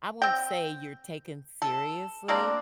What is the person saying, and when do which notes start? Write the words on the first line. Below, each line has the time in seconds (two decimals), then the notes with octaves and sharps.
I won't say you're taken seriously,
0.22 C4 G5
1.62 A4
2.28 G3 A#3 C4 D4